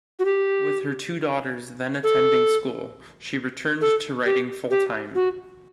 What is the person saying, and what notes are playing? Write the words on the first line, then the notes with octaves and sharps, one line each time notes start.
With her two daughters then attending school she returned to writing full-time.
F#4
G4
A4
A4
G4
G4
F#4